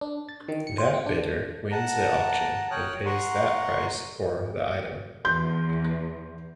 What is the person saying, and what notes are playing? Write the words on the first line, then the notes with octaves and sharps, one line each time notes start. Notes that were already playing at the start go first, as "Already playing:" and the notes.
That bidder wins the auction and pays that price for the item.
D4
A6
D#3
C#7
C5
C4
D4
F#5 A5 A#5
C#5 G5 D#6 F6 F#6
F#5 A#5 C6 C#6
E2 C6 G6